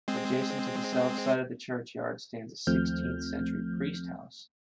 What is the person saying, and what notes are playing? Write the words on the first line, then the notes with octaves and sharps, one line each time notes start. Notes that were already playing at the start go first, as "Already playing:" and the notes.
Adjacent to the south side of the church yard stands a sixteenth-century priest house.
G#3 C4
D#2 F3 A3 C4 F6 G6